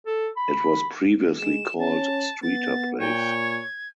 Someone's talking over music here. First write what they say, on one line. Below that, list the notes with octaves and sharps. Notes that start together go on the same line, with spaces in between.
It was previously called Streeter Place.
A4
B5
G#3 E7
C#4 A5
B3 A6
A#2 C#5 G5
G#6